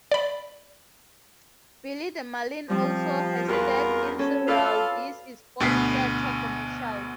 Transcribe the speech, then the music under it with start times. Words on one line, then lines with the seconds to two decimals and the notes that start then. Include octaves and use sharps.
Billy the Marlin also has starred in several This is SportsCenter commercials.
0.12 D5 B5
2.70 F3 G3 C4
3.49 E2 F4 F#4 A#4 B4
4.19 C#4 A4
4.48 F4 A4 B4 D5 F5
5.60 D2 B2 D3 B3 B6 C7